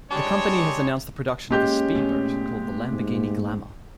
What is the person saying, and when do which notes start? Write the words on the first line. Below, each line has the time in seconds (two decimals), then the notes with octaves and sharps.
The company has announced the production of a speedboat called the Lamborghini Glamour.
0.11 G3 G#3 D4 C#5
1.50 G#3 A#3 C#4 G4 G6
1.95 A#2 A3 B3
2.92 G#2